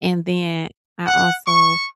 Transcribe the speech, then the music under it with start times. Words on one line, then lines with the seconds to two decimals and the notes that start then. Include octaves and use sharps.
And then I also,
1.06 F#5
1.47 C#6